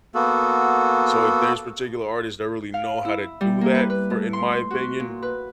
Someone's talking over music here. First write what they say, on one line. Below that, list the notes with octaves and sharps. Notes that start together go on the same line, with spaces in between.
So if there's particular artists that really know how to do that for in my opinion,
A#3 B3 F#4 A4
F5
E4
G3
A#3
B4
B4
A3
C6
F#4
A#2
B4